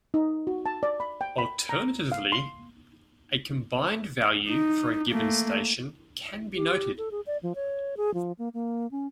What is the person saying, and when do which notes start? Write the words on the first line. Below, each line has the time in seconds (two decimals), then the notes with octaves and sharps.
Alternatively, a combined value for a given station can be noted.
0.14 D#4
0.47 F#4
0.66 A5
0.83 D5
1.00 B5
1.21 G5
1.38 B5
1.69 A#5
2.12 F5
2.32 C6
4.49 D#4
5.10 A3 A#3
6.55 G4
6.98 A4
7.11 G#4
7.27 D5
7.43 F3
7.55 C#5
7.97 G#4
8.14 F3
8.39 A#3
8.54 A#3
8.91 C#4